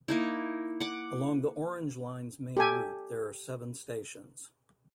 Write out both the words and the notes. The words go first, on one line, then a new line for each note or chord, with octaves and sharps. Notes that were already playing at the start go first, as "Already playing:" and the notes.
Along the Orange Line's main route there are seven stations.
A#3 D#4 E4
F#5 D6
G4 A4 G#5